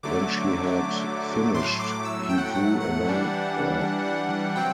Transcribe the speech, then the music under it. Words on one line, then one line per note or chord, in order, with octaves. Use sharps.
When she had finished he drew a long breath.
D3 F#3 A3 D6
A2 F#3 A3 C6
D6
E6
G5
F#5
G5
F#5
F#5
E3 G3 D4
C3 F#3 C4 G5